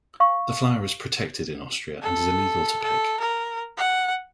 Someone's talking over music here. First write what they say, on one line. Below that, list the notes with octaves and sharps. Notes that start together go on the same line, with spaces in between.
The flower is protected in Austria and illegal to pick.
F5 C#6
A4
A4
A#4
F#5